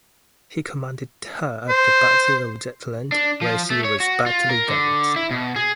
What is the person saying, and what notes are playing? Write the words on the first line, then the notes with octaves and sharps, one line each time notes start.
He commanded her at the Battle of Jutland, where she was badly damaged.
C5
D4
F3
A3
C#5
F#4
F4
A#4
D3
E4
B2
G#4